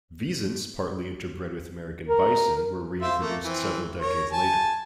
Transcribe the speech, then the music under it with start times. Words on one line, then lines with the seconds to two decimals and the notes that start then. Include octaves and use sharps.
Wisents partly interbred with American bison were reintroduced several decades later.
2.08 A#4
3.02 F4 C5 E5
3.21 A3 A#3
3.44 E3 C4
4.01 A#4 C#5
4.32 G#5 A5